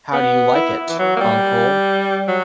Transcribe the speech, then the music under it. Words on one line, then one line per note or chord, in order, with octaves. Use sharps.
How do you like it, uncle?
B3
E4
E3
F#3
A#3
G3
F#3